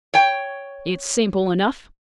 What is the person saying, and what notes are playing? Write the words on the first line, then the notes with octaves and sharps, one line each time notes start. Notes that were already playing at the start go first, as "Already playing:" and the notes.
It's simple enough.
C#5 G5